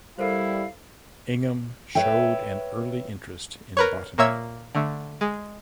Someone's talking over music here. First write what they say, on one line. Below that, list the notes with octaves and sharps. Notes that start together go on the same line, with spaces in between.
Ingham showed an early interest in botany.
G3 E4 A4 A#4 C5 F5
B4 C#5 E5 G5
A#4 B4 C#5
A#2 A#3 C#5 E5 E6 G#6
D3 A3
G#3